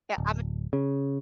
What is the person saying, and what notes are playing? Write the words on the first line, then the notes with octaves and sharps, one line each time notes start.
yeah, I'm a
D1
C#3